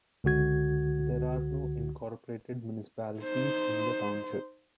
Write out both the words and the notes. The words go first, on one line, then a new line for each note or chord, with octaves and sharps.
There are no incorporated municipalities in the township.
C#2 D3 F#4 G#6
D#4 C5